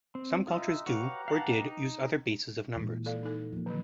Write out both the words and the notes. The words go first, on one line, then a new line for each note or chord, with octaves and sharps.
Some cultures do, or did, use other bases of numbers.
C4
G#3 D#4 F4 D#5 E5
F#4 G4 B4 C#5 F5 A#5
F5 F#5 A5
D#4
A#2 E3 G#3
A4 D5 F5
D#4 A4
F3 A#3
D3 D#3 F#3